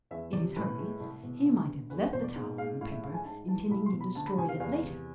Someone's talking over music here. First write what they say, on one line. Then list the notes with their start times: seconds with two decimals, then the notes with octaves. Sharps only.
"In his hurry he might have left the towel in the paper, intending to destroy it later."
0.11 E2 E5
0.33 C3 D5
0.56 A2 B4
0.78 G#3
1.00 C2
1.23 B2
1.45 D2
1.68 D3
1.90 E2 B4
2.01 B4
2.13 B2 C5
2.24 D5
2.36 G#2
2.58 G#3 F5
2.81 A2 F5
2.92 E5
3.02 G#3 F5
3.14 G#5
3.25 G#2 A5
3.48 E3 A5
3.70 C2 B5
3.86 C6
3.93 B2
4.01 B5
4.15 D2 A5
4.27 B5
4.38 C3 G#5
4.49 F5
4.60 E2 F5
4.83 C3